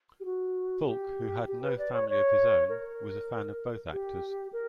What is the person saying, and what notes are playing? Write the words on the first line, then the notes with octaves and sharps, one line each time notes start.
Fulk, who had no family of his own, was a fan of both actors.
G4
F#4
G4
G4
B4
D5
C#5
C#5
A#4
G4
A#4